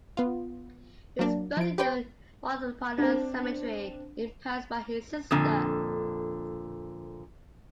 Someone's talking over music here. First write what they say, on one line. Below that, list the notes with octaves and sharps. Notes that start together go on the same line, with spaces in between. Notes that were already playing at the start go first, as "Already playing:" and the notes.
He was buried in Montparnasse Cemetery in Paris by his sister.
B3 F4
F#3 A#3 D4
F3 D7
G4 B4 C5 G5
C4 D4
F2 A#2 D3